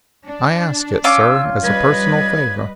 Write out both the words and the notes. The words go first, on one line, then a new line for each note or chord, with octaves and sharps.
I ask it, sir, as a personal favor.'
D4
C#4 F4 D6 E6
G3 B4 D#5 G#6